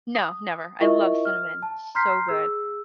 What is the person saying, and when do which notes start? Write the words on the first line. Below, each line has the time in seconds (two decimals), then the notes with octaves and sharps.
No, never, I love cinnamon. So good.
0.15 D#6
0.81 E4 F4 A#4 D#5 E5 C#6
1.25 F6
1.62 A5
1.95 A#5 C6 F6 G6 B6 C7
2.28 G#4 E6